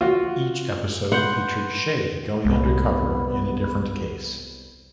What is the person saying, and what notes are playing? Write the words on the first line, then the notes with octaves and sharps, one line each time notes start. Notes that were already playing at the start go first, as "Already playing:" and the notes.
Each episode featured Shay going undercover in a different case.
F4 F#4
B4 F#5 C6 G6
C2 B3